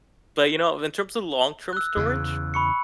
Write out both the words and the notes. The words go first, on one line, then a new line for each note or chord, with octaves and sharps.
But, you know, in terms of long-term storage,
E6 F#6
E2 C#3
B5 C#6 C#7